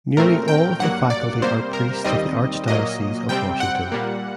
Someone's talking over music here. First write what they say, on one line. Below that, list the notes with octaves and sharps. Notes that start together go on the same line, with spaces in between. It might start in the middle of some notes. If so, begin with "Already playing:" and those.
Nearly all of the faculty are priests of the Archdiocese of Washington.
A#2 A3 C4 A#4
G5
G2 F#3 A#3 F#5
D5
C3 G3 A#3 C5
A#4
D#2 D#3 G3 C4 D#5
A#2 F#3 A#3 D#5
C3 G3 C4 G5
F#5
A#2 G3 A#3